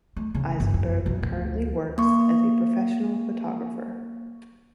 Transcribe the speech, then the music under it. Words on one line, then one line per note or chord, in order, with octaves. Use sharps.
Eisenberg currently works as a professional photographer.
A3
C#3
G1
F#2
B1
D2
A#3 C#6